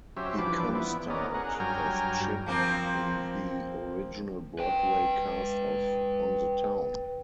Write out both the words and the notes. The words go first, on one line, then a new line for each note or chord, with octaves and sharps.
He co-starred as Chip in the original Broadway cast of "On the Town".
F#3 C#4 G4 C5 E5
E3 F3 G3 D4 B4 D6
B3 E4
B3 C#4 A#4 D5 D#5
G#4 A#4 F#5
G2 F#3 G5 G#5 A#5 F6
F3 A#3 C4
B4 G5